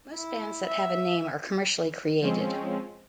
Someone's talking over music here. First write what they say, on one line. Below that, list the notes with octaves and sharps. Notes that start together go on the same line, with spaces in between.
Most bands that have a name are commercially created.
E4
E5
F3 G#3 C4 C#4